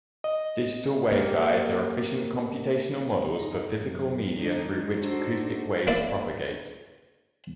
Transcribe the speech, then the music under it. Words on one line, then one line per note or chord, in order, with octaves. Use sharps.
Digital waveguides are efficient computational models for physical media through which acoustic waves propagate.
D#5
A#3 G4
D#4
F#2
D#3 G#3 D4 D#4
D4 D#4 F#4 A4 C5
A#3 E4 D5